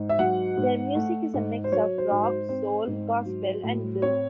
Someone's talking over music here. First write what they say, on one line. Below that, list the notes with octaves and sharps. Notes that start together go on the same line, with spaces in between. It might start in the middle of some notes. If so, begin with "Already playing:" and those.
Their music is a mix of rock, soul, gospel and blues.
Already playing: G#2
E5
F#3 F#5
G#2
A3
G#2
C5
F#3 C#5
C5
G#2
C5
C4 C5
G#2
F#3
A2
C4 C#5